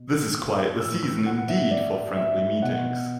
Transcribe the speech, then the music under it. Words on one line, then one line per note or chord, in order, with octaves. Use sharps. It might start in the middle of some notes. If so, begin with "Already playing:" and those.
This is quite the season indeed for friendly meetings.
Already playing: B2
A2 E3 E6
E6
F#5
E5
D5
E5
B2 F#5